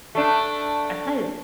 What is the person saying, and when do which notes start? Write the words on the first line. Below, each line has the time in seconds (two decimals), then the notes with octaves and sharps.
I probably
0.15 A3 D4